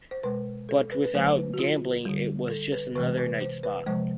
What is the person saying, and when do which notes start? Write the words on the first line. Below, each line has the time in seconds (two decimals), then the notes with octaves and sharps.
But without gambling, it was just another nightspot.
0.11 C5
0.23 B2 G#3 B4
0.69 A4
0.92 B4
1.04 B4
1.14 D3 F#3 A3 C5
1.37 B4
1.54 F#4
1.59 F4
2.05 D3 G3
2.50 A4
2.72 B4
2.95 C3 E3 G#3 B4
3.18 B4
3.41 C5
3.63 B4
3.86 C3 F3 G#3 C5